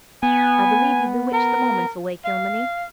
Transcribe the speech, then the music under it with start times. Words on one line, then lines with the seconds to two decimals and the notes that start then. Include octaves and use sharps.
I believe you bewitch the moments away, Kilmeny.
0.23 B3 G#5
1.33 A#4
2.25 F5